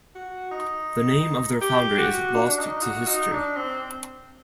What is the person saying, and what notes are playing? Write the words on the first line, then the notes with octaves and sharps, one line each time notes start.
The name of their founder is lost to history.
F#4
D#4
G4
F#4
D4
D4
D#4
F#4
D#4
D4
C4